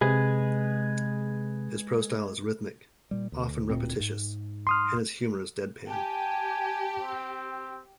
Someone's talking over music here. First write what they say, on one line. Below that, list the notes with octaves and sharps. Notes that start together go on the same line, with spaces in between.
His prose style is rhythmic, often repetitious, and his humour is deadpan.
C3 G#3 G#4 B4
A#2 G3
D2
D1 A#2 C4
G#2
C6 D#6 F6
G4 G#5 A5
C4